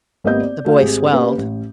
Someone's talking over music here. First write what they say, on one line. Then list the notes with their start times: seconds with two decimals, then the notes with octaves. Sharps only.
The boy swelled.
0.24 G#1 A#3 B3 G4 D#5 G6
0.40 D5
0.65 A3 F#4 F5
0.80 G#1 G4 G#4
1.12 A#3 C#4 G4 B4
1.38 A1